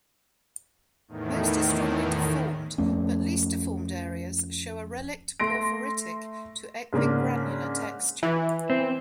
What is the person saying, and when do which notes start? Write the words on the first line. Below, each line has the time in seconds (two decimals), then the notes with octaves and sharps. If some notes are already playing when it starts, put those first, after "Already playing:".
Most is strongly deformed, but least-deformed areas show a relict porphyritic to equigranular texture.
1.08 E2 A2 D#3
2.78 F2 A3 C#4
5.40 A3 C6 A#6 D7
6.93 G#2 C#3 A#3 D4
8.23 E3
8.70 C4